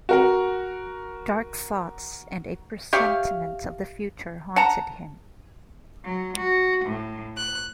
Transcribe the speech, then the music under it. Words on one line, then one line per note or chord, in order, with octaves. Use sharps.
Dark thoughts and a presentiment of the future haunted him.
F#4 A#4 F#5
G4 C#5 E5 F5
F#5 A5 A#5
F#3
F#4
A2
F#6